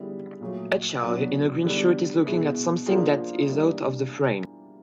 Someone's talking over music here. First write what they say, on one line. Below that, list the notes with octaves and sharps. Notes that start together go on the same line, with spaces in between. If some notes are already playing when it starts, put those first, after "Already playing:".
A child in a green shirt is looking at something that is out of the frame.
Already playing: D3 G3 B3 E4 G#4
A#2 F#3 A3
F#3 B3 D4 F#4
D3 G3 B3 D4
B2 G#3 B3 E4
F3 A#3 D4 F4 G#4
E3 G3 A#3 D4